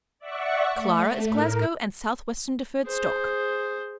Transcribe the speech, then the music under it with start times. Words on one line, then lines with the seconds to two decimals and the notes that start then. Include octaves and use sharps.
Clara is Glasgow and South-Western Deferred Stock.
0.19 D5 E5 F#5 C#6
0.74 A3
1.26 A2 A#4
2.85 G#4 C5